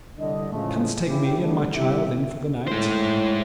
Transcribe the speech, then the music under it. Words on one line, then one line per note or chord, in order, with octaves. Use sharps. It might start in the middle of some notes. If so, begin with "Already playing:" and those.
"Canst take me and my child in for the night?"
C2 D3 D#5
A2 C#3 E3 F3 G#3 A3
C#3 E4 G4
D3 G3 A3 B3 D4
C3 G3 E4 G4 E5
A2 G#3 C5